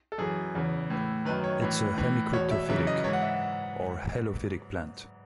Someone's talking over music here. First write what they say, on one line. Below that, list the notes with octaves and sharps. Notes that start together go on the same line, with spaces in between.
It's a hemicryptophytic or helophytic plant.
A4
F#2 E3 G#4
E2 C#3 E3
A2 E3
F#2 D#3 B4
C#5
A2 E3
A2 E3
E2 B2 C#5
E5
F#2 C#3 E3 E5
D#5
G#2 E3 C#5
F#5
E5